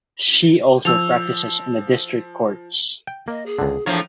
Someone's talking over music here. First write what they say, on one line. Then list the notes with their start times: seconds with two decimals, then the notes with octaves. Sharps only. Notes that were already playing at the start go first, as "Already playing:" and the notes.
She also practices in the district courts.
0.85 F3 E6 F7
3.07 G5
3.28 A#3 D#5
3.46 G#4
3.59 C#2 D3
3.86 E2 A2 F3 D4 C#5 F5 A#5